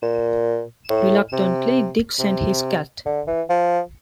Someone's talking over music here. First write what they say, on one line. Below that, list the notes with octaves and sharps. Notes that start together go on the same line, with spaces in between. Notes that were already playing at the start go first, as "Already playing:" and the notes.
Reluctantly, Dick sent his cat.
A#2
A2
C3
C3
D3
E3
F3